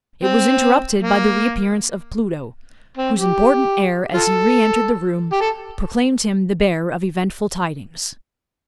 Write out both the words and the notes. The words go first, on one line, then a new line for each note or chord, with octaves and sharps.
It was interrupted by the reappearance of Pluto; whose important air, as he re-entered the room, proclaimed him the bearer of eventful tidings.
C4
A#3
C4
G4
F4 A4
G4
A4